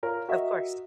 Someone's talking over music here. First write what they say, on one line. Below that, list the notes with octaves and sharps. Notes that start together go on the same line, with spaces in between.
Of course.
F4 A#4 C#5
F#4 A#4 D#5 E5